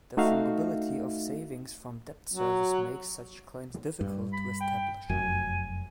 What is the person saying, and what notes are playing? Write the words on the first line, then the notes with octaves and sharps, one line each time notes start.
The fungibility of savings from debt service makes such claims difficult to establish.
A3 D#4 F#4 E5 F5
F#3
G2
B5
G5
F1 F#2 G#5